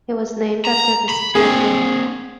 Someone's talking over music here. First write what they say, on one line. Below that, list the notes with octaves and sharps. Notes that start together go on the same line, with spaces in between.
It was named after the city of Rome.
A#5
B5
A#3 C4 G#4